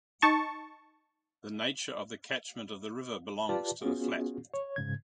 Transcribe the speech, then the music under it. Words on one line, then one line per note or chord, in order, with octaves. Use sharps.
The nature of the catchment of the river belongs to the flat.
D#4 A5 C#6
F4 G4 B4 D5 A5
B3 C#4 F4 F#4 G#4
C#5
G#2 C#3 G#6